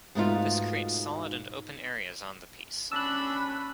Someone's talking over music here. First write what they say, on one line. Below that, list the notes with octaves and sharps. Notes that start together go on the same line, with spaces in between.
This creates solid and open areas on the piece.
G#2 B2 A3 B3 D#4 F4
C#4 D4 B5 E6 F#6